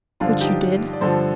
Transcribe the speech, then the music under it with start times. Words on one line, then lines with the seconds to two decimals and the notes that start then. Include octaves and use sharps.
"Which you did?"
0.20 G2 D3 F3 D4 F4
0.40 D#4 G4
0.93 D5
1.01 G2 D3 F3 A4 C5